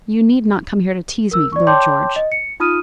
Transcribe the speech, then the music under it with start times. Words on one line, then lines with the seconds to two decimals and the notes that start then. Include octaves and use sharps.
"You need not come here to tease me, Lord George."
1.31 A#4 E6
1.52 D5 C#6
1.67 C#5 G5 A5 C6 D6 G6
2.16 D#5
2.32 C#7
2.60 D#4 F4 D#6 F6 D#7